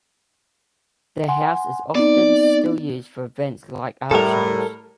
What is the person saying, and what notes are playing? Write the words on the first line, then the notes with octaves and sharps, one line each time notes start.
The house is often still used for events like Art Shows.
F#5 G#5 C6
B3 C4 D#4 D5
A2 G3 A4 A#4